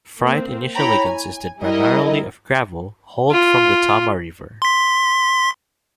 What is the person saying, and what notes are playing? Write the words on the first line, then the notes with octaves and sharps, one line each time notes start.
Freight initially consisted primarily of gravel hauled from the Tama River.
A#3 C4
E4 C#5 G5 A#5 B5
G#5
G3 E4 A#4 D#5
F4
C6 B6